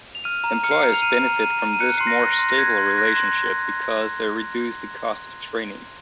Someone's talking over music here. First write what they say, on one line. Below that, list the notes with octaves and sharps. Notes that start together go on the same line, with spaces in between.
Employers benefit from this more stable relationship because they reduce the cost of training.
F7
F6 D#7
A#5
F6 C#7
C7
A#5 C#7
F7
F6 D#7
A#5
F6 D#7
A#5
D#7
F#6 C#7
C6 C7
A#6
F#6
A#6
C6
A#6
F#6 G#6
C6
G#6
F#6 A#6
C6